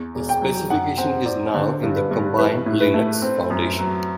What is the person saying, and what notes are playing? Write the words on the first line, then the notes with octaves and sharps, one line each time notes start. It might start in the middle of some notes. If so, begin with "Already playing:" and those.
The specification is now in the combined Linux Foundation.
Already playing: E2
E1
G5
F#3
F#2 F#5
C4 F#5
C4 D5
D3 C5
G2
B4
G2
E3 B4
A2
B4
A3
C4
F#2
F#3